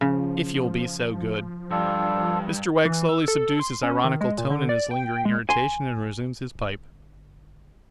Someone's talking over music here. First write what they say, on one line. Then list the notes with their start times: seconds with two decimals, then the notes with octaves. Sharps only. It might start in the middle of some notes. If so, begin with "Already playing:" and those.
'If you'll be so good.' Mr Wegg slowly subdues his ironical tone and his lingering irritation, and resumes his pipe.
0.01 C#3 F3
1.71 G2 D4 F4 A4
2.85 E3
3.09 E6
3.28 A4
3.60 C6
3.83 C#4
4.04 D#3
4.21 G#3
4.38 A#2
4.50 D3
4.69 D5
4.91 G5
5.25 G#3
5.49 A1 G#5 C6
5.97 E1
6.55 G1